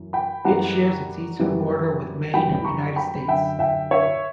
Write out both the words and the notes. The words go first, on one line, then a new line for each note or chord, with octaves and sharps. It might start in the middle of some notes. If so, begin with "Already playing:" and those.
It shares its eastern border with Maine, United States.
Already playing: F#2 E3
G5 B5
F#2 E3 G3 F#5 A#5
F#2 E3 G3
F#2 E3 G3 G5 B5
A#5 C#6
G5 B5
F#2 D3 F#3 E5 G5
E5 G5
C#5 E5